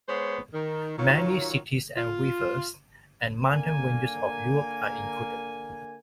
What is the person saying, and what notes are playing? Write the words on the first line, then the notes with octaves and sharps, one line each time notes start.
Many cities and rivers, and mountain ranges of Europe are included.
G#3 B3 C5 C#5
D#3
D#3 F#3 F4 C#5
F4
D3 A#3 A#4 G#5